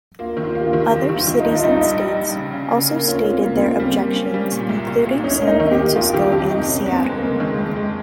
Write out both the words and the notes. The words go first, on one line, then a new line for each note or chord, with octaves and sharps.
Other cities and states also stated their objections including San Francisco and Seattle.
A#3 F4
D#3
F4
A#3
G4
F4
D#3
G1 G4
D#3
F4
D#3
D#4
G2
F4
G3 D#4
A#1
G3
A#1
C#3
C#3
C#3
A#3
C#4 F4
F4
C4
C#3 A#3
C4
C#3
A#3
G3 C4
A#3
C#4
G3
A#2
C2
A#2
A#2
C#4 D#4
A#3
D#4
D#3
G4
A#3
F2 F4
D#3 G4
F2 G4
C3 D#4
F2 C#4
G1
C4
G#3
A#3
C#3
D#3 G#3
F2
G#3
G#3